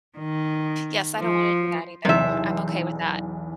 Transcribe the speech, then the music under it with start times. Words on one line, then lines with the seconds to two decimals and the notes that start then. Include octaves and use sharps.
Yes, I don't wanna do that either. I'm okay with that.
0.18 D#3
1.19 F3
2.05 B1 E2 C3 E5